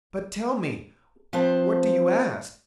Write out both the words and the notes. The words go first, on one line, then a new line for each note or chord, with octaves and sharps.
"But, tell me, what do you ask?"
F3 C4 B4 C5 A5